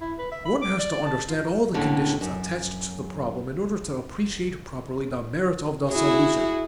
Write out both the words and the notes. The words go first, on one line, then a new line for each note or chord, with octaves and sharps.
One has to understand all the conditions attached to the problem in order to appreciate properly the merit of the solution.
E4
B4
E5
B5
D6
D5
D5
A5
F4
A#4
D#2 A2 D3 C#4
F#2
E4 F#4 G#4